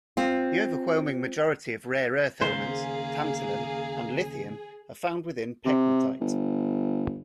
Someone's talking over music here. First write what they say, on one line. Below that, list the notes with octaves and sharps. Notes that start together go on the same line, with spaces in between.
The overwhelming majority of rare earth elements, tantalum, and lithium are found within pegmatite.
C4 F4
D#2 C#3 G#4 C5 F5 A#5
C3
G1